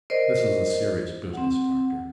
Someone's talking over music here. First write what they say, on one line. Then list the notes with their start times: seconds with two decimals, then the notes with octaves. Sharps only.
"This is a serious business, Doctor."
0.10 A#4 C5 D5 D#5
1.33 C4 F#5